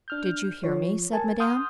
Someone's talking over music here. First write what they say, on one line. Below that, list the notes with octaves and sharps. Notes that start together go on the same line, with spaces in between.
"Did you hear me?" said Madame.
D4 F6 G6
F3 C#5
A#4 G#5 A5
F#5 C6 D#6 F6 G6